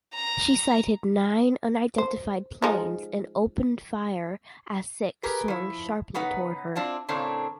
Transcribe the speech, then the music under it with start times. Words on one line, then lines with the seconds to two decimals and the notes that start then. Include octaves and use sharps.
She sighted nine unidentified planes and opened fire as six swung sharply toward her.
0.14 A#5
1.98 C5
2.62 F3 G#3 D#4
5.23 G4 G#4 A#4 B4
5.48 F3 E4
6.14 C#3 B3 D#4 B4 F#5
6.75 C4 D4 E4 F4
7.08 A2 C#3 A3 A#3 C4 D4